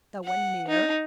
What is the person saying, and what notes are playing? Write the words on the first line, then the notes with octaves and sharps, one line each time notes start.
No one near.
F#5
D#4